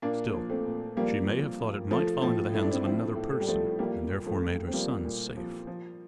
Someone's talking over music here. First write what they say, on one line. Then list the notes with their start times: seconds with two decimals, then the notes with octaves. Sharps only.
Still, she may have thought it might fall into the hands of another person, and therefore made her son safe.
0.02 A#2 A#3 D4
0.34 F3
0.50 A3 C4
0.65 A#2
0.97 F3 G3 A#3
1.28 F3
1.60 F3
1.91 F3 A3
2.22 A2 F3 A3
2.54 A2 E4
2.63 D4
2.71 C4 E4
2.85 F3 C4 E4
3.16 A2
3.32 A3
3.40 G3
3.48 A2 F3 A3
3.79 F3 G3 A#3
4.10 A#2
4.26 F3 A3
4.42 F3
4.67 C4
4.73 F3 G3 A#3
5.05 A#2
5.37 F3
5.67 F3